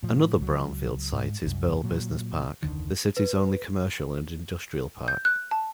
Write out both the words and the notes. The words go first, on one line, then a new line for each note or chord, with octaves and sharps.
Another brownfield site is Burle Business Park, the City's only commercial and industrial park.
A2 F3
C#2 F#3
G#2
C2 F#2
A#2 F#3
F1 D2 D3 D#3
B4
G6
F#6
A5